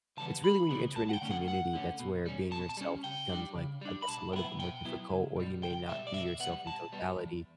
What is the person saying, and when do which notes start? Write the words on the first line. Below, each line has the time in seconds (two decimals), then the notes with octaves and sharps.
it's really when you enter a new community, that's where being yourself becomes, like, I guess, a little bit more difficult, or you may not be yourself in totality
0.17 C#3 E3 G3 B3 A5
0.43 D2 B5
0.70 C#3 E3 G3 B3
0.95 G2 A5
1.09 F#5
1.13 G5
1.22 D3 A3 C#4
1.31 F#5
1.47 G2 F#5
1.73 D3 A3 C#4
1.99 B2
2.26 G3 C#4
2.51 B2 A5
2.69 A5
2.77 G3 C#4
3.04 C#3 G5
3.30 G3 D4
3.55 C#3
3.81 G3 D4
4.02 B5
4.07 B2 A5
4.32 F#3 B3 E4 G5
4.59 B2 G5
4.85 F#3 B3 E4
5.11 C#2
5.36 B2 G3
5.62 C#2 G5
5.89 B2 G3 E5
6.07 D5
6.14 B2 E5
6.40 B3 F#5
6.44 G3
6.66 B2 A5
6.92 G3 B3
7.18 E2